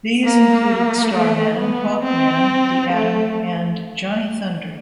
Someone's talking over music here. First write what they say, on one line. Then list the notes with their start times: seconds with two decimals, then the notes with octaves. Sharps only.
These included Starman, Hawkman, The Atom and Johnny Thunder.
0.25 A#3
1.15 A3
1.59 B3
2.04 C4
2.93 A3